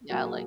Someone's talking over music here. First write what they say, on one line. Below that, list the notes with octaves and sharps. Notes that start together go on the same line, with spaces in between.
Yeah, like
A#2 F#3 A#3 F#4
G#4